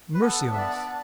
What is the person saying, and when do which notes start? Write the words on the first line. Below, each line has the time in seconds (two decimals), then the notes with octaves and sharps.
Mercy on us!
0.14 B4
0.21 B3 A4
0.39 D4
0.53 E5
0.58 B3 D5
0.76 D4